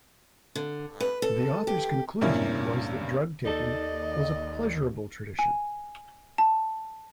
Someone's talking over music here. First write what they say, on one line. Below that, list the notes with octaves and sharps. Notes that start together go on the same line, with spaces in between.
The authors' conclusion was that drug-taking was a pleasurable tradition.
D3
B4
A4
G4
E2 G2 C3 A#3 C#4 E4
D#2 D#4 A4 D5 D#5
G#5
A5